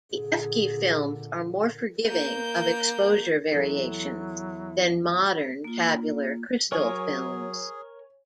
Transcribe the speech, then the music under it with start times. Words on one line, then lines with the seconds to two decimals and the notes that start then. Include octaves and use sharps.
The Efke films are more forgiving of exposure variations than modern tabular crystal films.
0.15 A#2 D3 G#4
2.08 A#3 G6
3.52 E2 F#3 E4 A4
5.64 A#3 F4
6.72 F#3 G#4 A#4 C#5 G#5 C#6